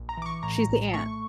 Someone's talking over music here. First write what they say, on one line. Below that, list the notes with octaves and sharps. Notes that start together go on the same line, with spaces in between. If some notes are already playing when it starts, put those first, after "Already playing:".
She's the aunt.
Already playing: A#1
A#5
E3 D6
C#6
A2 A#5
A#1
A3 C#6